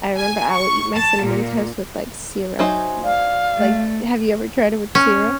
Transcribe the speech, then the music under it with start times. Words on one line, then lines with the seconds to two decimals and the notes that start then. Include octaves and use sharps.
I remember I would eat my cinnamon toast with, like, syrup, and, like, have you ever tried it with syrup?
0.17 G#5
0.53 C#6
0.97 A5
1.27 A#2
2.59 F#3 D#4 C5 E5 G#5 C6
3.04 D5 F5
3.56 A3
4.95 C#4